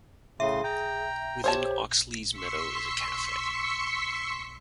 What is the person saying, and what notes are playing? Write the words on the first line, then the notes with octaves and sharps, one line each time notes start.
Within Oxleas Meadow is a cafe.
A2 C#3 G#4 E5 C6
G5 A#5
G4 C5 C#5 A5
C6 C#6 E6 B6 C#7